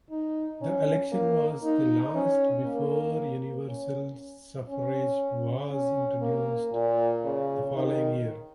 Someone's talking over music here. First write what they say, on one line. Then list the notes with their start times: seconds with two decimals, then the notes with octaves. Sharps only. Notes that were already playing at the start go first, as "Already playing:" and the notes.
The election was the last before universal suffrage was introduced the following year.
0.11 D#4
0.62 C#4
1.12 A#3
1.64 D#4
2.15 C#4
2.65 A#3
3.68 C#4
4.69 C#4
5.71 C#4
6.22 A#3
6.73 A#2
7.24 C#3
7.74 D#3